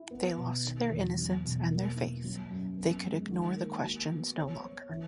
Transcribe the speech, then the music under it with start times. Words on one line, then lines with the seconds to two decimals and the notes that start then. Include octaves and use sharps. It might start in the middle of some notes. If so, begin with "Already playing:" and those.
They lost their innocence and their faith, they could ignore the questions no longer.
Already playing: E4
0.11 B3
0.37 B2
0.64 D#3
0.91 E2
1.18 F#3
1.44 B2
1.71 A#3
1.96 E4
2.24 F#3
2.51 F#2
2.77 B3
3.03 G#3
3.29 D#3
3.56 A#3
3.83 F#4
4.09 B3
4.36 C#5
4.63 C#5
4.89 E3